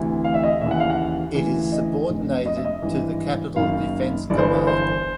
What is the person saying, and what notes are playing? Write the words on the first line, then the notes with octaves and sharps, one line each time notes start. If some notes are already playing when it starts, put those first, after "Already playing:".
It is subordinated to the Capital Defense Command.
Already playing: D2 C3 E3
F5
E5
D#5
D#2 C#3 E3 E5
F#5
F5
F#5
D2 C#3 E3
D#5
F1 F2 D3
D#5
E5
D#5
G#1 G2 E3
F#1 F#2 D#3 F5
G1 G2 E3 D5
C5
B4
B4
C5